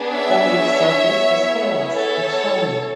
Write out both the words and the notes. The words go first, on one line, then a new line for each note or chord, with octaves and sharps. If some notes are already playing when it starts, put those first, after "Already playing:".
The leaf surface is hairless and shiny.
Already playing: B3 D4 G#4
C#5 E5
B3 E4 G#4
A4 C#5